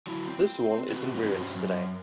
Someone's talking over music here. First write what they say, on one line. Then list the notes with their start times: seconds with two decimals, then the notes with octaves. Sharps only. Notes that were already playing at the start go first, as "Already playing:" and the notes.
This wall is in ruins today.
0.07 F#3 E4
0.28 C4
0.89 C4 F#4 G4 B4
1.15 G2 G3 C4 C#4 F#4
1.56 F#2